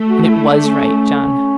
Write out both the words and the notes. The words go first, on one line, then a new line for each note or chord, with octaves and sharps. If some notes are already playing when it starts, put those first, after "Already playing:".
And it WAS right, John!
Already playing: A3
F#4
E4
D4
C#4